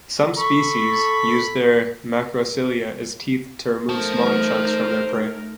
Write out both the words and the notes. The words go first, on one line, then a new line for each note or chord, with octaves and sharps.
Some species use their macrocilia as teeth to remove smaller chunks from their prey.
A4 B5 C#6
A3 D#4 A#4 C5 A5